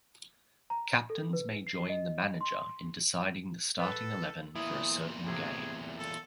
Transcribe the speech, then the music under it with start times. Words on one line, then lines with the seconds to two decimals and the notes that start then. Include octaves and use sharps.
Captains may join the manager in deciding the starting eleven for a certain game.
0.70 A#5
1.10 A4
1.33 B4
1.67 C7
1.89 D#5
2.41 C6
3.80 A4 B4
4.55 E2 A#2 E4 D#6
5.27 A2 C3 G#4
5.99 A4